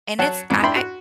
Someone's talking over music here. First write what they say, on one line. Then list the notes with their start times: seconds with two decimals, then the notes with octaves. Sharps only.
And it's I I
0.19 F#3 F#5 A5
0.50 F2 G#2
0.63 D4 E4 G5 B5 C6
0.76 F#4